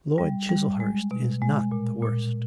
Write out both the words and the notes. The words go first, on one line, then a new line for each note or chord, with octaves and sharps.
Lord Chiselhurst is not the worst.'
G3
G3
G#3
B2
G#3
A#2
A#2